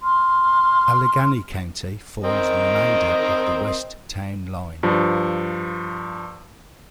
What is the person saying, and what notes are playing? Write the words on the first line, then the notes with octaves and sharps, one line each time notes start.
Allegany County forms the remainder of the west town line.
C6 F6
C4 A#4 D#5
G2 F3